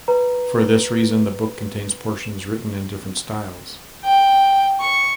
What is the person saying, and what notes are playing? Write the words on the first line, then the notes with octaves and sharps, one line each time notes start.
For this reason, the book contains portions written in different styles.
B4 A#5
G5
C#6